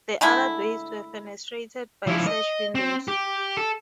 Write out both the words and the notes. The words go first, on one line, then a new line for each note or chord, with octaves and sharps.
The other bays were fenestrated by sash windows.
D3 G#3 A3 E4
F3 E4
D#5
C4
G4
A4